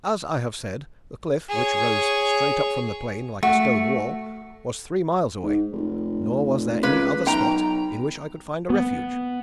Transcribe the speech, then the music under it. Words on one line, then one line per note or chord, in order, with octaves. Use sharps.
As I have said, the cliff, which rose straight up from the plain like a stone-wall, was three miles away, nor was there any other spot in which I could find a refuge.
G#4 C#5
A3 F#4
G#2
F1
C#2 A#3 B4
B1 B2 G5 A#5
B3